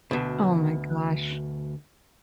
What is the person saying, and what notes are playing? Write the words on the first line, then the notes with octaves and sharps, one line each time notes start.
Oh my gosh.
D2 B2